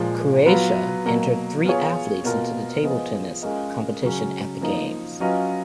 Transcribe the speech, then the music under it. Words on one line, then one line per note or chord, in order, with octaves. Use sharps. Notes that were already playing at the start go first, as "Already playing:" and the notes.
Croatia entered three athletes into the table tennis competition at the games.
Already playing: A#2 F3 G#3
F#3 B3 F4 B4
B2 F#3 A#3
B3 F4 G#4 C#5
B2 A#3 F4 A#4
F3 B3 F4 G#4 D#5
G#3 C#4 F4 A#4 D#5
C#3 F#3 C#4
F3 A#3 D#4
F#3 C#4 F4 B4 D#5